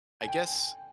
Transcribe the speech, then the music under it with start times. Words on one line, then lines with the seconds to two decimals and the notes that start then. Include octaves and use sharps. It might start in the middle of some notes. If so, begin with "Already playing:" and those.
I guess
0.23 G#5
0.28 G5